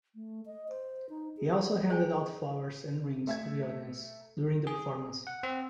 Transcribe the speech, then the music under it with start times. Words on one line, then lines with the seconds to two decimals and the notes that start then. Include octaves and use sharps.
He also handed out flowers and rings to the audience during the performance.
0.15 A3
0.46 D#5
0.69 C5
1.10 D#4
1.37 G#4
1.89 G#4 C5 C#5 G5 G#5
3.27 A3 E5 G#6
4.67 G#4
5.27 F#5
5.43 C4